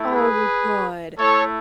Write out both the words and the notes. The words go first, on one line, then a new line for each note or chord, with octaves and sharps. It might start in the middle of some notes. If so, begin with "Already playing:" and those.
Oh, good,
Already playing: A3 E4
G#4 B4
A3 E4 A4 C#5